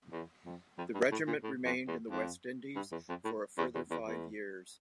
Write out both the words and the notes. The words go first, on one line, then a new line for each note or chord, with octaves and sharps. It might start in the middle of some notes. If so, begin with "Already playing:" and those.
The regiment remained in the West Indies for a further five years.
E2
F2
F2
G2
A2
A#2
A2
F2
E2
F2
G2
E2
F2
A2
E2
E2
E2
E2